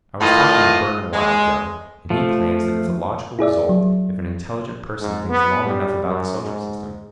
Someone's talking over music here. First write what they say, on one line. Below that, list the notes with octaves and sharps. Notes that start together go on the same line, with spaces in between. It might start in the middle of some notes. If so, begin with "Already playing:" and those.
I was talking to Burne awhile ago, and he claims that it's a logical result if an intelligent person thinks long enough about the social system.
A2 D#3 E3 F4 D#5 F5
G#3
F3 A3
E4 G#4 D5 E5
F#3
G#2
B3
G3
F#2
G#2